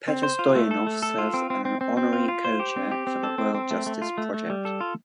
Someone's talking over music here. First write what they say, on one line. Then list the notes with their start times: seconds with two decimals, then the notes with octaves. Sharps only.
Petar Stoyanov serves as an Honorary Co-Chair for the World Justice Project.
0.08 C4
0.23 C5
0.39 F4
0.56 A3
0.71 A4
0.87 A3
1.03 A4
1.18 F4
1.34 C4
1.50 C4
1.65 C4
1.81 C4
1.97 C4
2.13 F4
2.29 F4
2.45 C5
2.60 G4
2.76 C4
2.91 G4
3.07 C4
3.23 A4
3.38 C4
3.55 C4
3.71 A3
3.86 A3
4.02 F4
4.18 A3
4.34 A3
4.50 G3
4.65 A4
4.81 F4